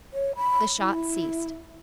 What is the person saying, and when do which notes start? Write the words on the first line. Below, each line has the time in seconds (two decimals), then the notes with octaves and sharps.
The shots ceased.
0.13 C#5
0.36 B5
0.78 E4